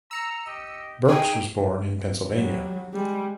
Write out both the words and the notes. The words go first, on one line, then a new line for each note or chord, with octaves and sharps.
Birx was born in Pennsylvania.
A#5 E6 C#7
G4 D#5
A3 D#4 G#4 G5 G#5
F#3 G3
G3 G#3